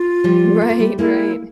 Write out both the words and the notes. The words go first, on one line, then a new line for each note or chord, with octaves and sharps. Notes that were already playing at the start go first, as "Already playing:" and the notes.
Right, right.
Already playing: F4
F3 G3
A3
A#3
G3 A3
G#3 A#3 E4